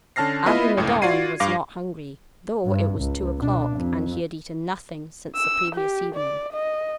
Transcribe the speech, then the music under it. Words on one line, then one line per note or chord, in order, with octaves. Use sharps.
Abbe Midon was not hungry, though it was two o'clock, and he had eaten nothing since the previous evening.
D3 C#4 A5 F6 A#6 C7
B3 E4 F4 D#5 E5 B5
G1 C#2 A2
F4 F#4 D5 G#6 C7 D#7
G2 F5 D6 A#6
G2
C#2
B2 D4
F2
E6
G4
D5
D#5